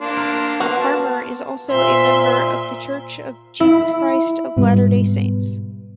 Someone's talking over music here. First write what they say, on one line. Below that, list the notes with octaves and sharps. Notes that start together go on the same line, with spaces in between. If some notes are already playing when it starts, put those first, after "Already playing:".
Harmer is also a member of The Church of Jesus Christ of Latter-day Saints.
A#3 D4 C6
A#4
B3 F#4 F5
A5
A#2 C5 E5 C6
E4
G#2 B2 G3 B3